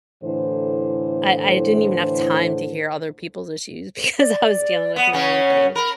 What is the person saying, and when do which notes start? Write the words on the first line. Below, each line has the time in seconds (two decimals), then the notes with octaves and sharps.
I I didn't even have time to hear other people's issues, because I was dealing with my own things,
0.23 A2 D3 E3 C5
4.19 D5
4.96 B3 F#5
5.13 C#3 C#4
5.76 A#4 B5